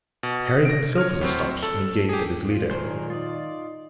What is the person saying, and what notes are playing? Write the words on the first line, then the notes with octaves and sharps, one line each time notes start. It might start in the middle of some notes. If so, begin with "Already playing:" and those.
Harry himself was astonished, and he gazed at his leader.
B2
A#6 D7
C#5 F6
A2 F#3 C4
A4
G4 G#4
A#2 F4
D#3 F#3 G#3 A#4 C5
D#4 F4 D5 D#5 D#6